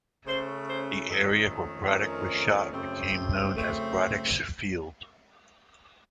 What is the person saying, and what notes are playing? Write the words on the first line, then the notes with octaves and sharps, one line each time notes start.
The area where Braddock was shot became known as Braddock's Field.
C#3 A3 C#4 C5
C5
F2 D#3 A3 C#4 A4
F2 D#3 A3 C#4 A#4
F#2 C#3 A3 C4
F#2 C#3 A3 C4